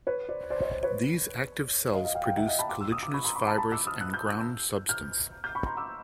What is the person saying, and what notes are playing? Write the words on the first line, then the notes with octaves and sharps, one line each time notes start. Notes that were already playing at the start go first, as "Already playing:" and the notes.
These active cells produce collagenous fibers and ground substance.
B4 C#5
C5 D5
C5 D5
C#5 D#5
C5
B4 C#5
D#5 F5
D#5 F5
F5 G5
F5 G5
E5 F#5
D#5 F5
A5 B5
C6 D6
E6
D#6
D6
B5 C#6
A#5 C6
B5 C#6
A5 B5
A5 B5
D6 E6
D#6 F6
F#6
G6
E6 F#6
F6 G6
F6 G6
B5 C#6
A#5 C6
D6 E6